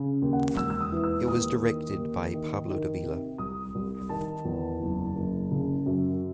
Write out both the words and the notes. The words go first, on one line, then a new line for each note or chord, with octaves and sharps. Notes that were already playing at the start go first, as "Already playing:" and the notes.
It was directed by Pablo Davila.
Already playing: C#3
D#2
F#5
E1 E6
E6
D#6
E3
E6
D#2 D#6
D#3
D#2
D#3
D#3
C3
C2 D#6
C2
D#3 A5
E2
F#1
F#1
C#3
F#2